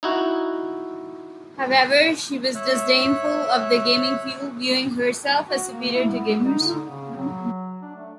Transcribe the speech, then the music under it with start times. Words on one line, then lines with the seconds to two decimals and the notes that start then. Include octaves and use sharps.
However, she was disdainful of the gaming field, viewing herself as superior to gamers.
0.03 D#4 E4 F#4
2.55 C#5 E5 F#6
5.47 F#4
5.69 A#3
5.94 E4
6.09 B3
6.46 D#4
6.60 D3
6.85 C#3
7.15 F#3
7.82 D4
7.95 A3